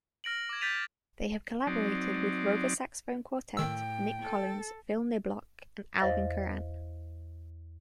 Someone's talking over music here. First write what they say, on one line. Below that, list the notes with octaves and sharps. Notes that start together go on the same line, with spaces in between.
They have collaborated with Rova Saxophone Quartet, Nick Collins, Phill Niblock, and Alvin Curran.
F6 A#6 D7 F#7
D6 G#6
G6 A6 B6 D#7 F7
F#3 C4 D#4 D5
A2 D#3 G5 E6
A4
E2 C5 D#5 F5 A6 A#6